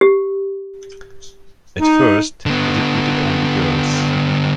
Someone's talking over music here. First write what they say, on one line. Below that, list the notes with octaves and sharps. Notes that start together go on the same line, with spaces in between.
At first, it admitted only girls.
G4
D#4
D3 B3